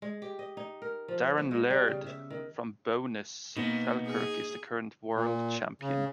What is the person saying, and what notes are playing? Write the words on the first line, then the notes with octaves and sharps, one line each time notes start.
Darren Laird from Bo'ness, Falkirk is the current world champion.
G#3
G4
D#5
D#4
A#4
F3
B3
G#3
G3
C#3
E5
D#3
B2 A#3 B3 D#4
G#4
A#2
C#3